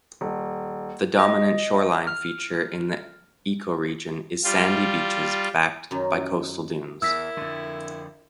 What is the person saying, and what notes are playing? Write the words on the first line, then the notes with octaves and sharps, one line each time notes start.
The dominant shoreline feature in the ecoregion is sandy beaches backed by coastal dunes.
D#1
D#5
F6
G3 F4
F#2 D#3
E2 E4 A#4 E6 B6
F2 D3